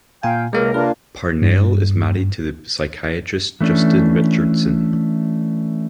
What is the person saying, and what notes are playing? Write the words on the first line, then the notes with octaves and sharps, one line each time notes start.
Parnell is married to the psychiatrist Justin Richardson.
A#2 F5 G5 G#5
C#2 C3 G#3 A#3 A#4
A#3 D4 F4 B4
G2
E3 A3 C#4 D4